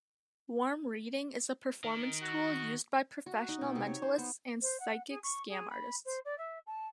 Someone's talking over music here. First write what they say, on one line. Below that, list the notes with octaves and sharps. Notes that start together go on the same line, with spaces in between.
Warm reading is a performance tool used by professional mentalists and psychic scam artists.
D#3
F#4
F#4
D#4
B2
C3
C#5
C5
B3
C5
F#5
G#4
C#6
G#4
B5
C5
D5
E5
A5